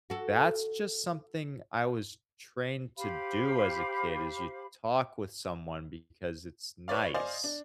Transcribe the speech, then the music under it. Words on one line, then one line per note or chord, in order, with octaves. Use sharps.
"That's just something I was trained to do as a kid is you talk with someone because it's nice."
F#4 A4
G4 C5 F5 B5
B4 C#5 D5 F5
C5 D5 D#5 F5 G#5
D4